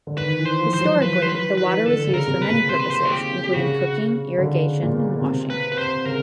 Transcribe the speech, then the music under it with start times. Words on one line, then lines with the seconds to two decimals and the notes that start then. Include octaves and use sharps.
Historically, the water was used for many purposes including cooking, irrigation, and washing.
0.07 D3
0.17 D#3 B4
0.39 E3
0.46 C5
0.60 F3
0.74 C5
0.80 F#3
1.02 F3 B4
1.22 F#3 C5
1.29 B4
1.43 F3
1.57 B4
1.65 E3
1.86 D3 A4
2.07 C#3
2.14 A#4
2.27 C3
2.42 B4
2.49 A#2
2.69 C3 C5
2.79 B4
2.90 C5
3.05 F#4
3.12 G4
3.53 C#3 F#4
4.38 D3
4.83 A#2
4.94 B2
5.22 C3
5.50 B4
5.72 B4
5.78 C5
6.05 C#3 A#4